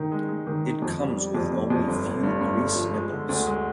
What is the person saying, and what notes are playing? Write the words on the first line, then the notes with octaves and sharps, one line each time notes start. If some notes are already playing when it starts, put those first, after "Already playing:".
It comes with only few grease nipples.
Already playing: D#3 D#4
G#3
G#3
D#3
D#4
F2
G3
G3
F2
F2
F2
G1
G1
G2
G2
G1
F3
G#3
D3
D2
G#3